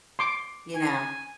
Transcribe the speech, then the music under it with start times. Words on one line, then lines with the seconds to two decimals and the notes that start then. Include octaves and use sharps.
you know?
0.19 C6 D6
0.75 G#5